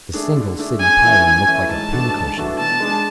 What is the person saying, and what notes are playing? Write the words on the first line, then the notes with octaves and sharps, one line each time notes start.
The single city Pyrran looked like a pin-cushion.
A3 D4 G#4
D3
A3 D4 G#4
F#2 G#5
E3 A3 C#4 E4
F#2
E3 A3 C#4 E4
G#2 A5
E3 A3 D4 F#4
G#2
E3 A3 D4 F#4
B2 A5
G#3 D4 G#4